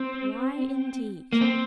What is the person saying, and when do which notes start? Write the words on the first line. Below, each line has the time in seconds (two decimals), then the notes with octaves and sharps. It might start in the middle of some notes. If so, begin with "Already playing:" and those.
Why, indeed?
Already playing: C4
1.33 A#3
1.41 C4